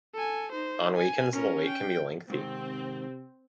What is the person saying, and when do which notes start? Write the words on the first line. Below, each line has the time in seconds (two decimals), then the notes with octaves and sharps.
On weekends the wait can be lengthy.
0.14 A4 G#5
0.52 D#4 C5
0.97 G#5
1.33 C#4 A#4
1.67 G5
2.30 G#2 C3 D#3 C4